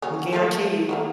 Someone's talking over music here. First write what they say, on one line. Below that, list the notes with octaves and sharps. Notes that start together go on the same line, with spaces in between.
I can guarantee you,
F#3 A#3 C#4
A3 A#3 A4
A3 A#3 F#4